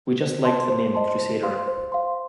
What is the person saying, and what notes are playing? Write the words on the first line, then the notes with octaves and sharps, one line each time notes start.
We just liked the name "Crusader".
C5
D#5 A5 C6
C5
D#5 A5 C6
C5
F5 C6
C5
F5 C6